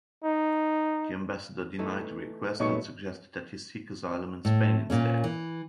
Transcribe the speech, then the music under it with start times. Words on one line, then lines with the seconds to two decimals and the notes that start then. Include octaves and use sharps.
The ambassador denied the request and suggested that he seek asylum in Spain instead.
0.24 D#4
1.79 E3 A3 D#4
2.60 A#2 F#3 G#3 A3 B3 D#4 C#6 C#7
4.45 A2
4.90 A#2 A#3 C#4
5.24 E3